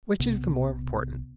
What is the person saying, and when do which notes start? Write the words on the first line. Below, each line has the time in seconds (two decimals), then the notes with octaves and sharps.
Which is the more important?
0.20 B1 C3 B3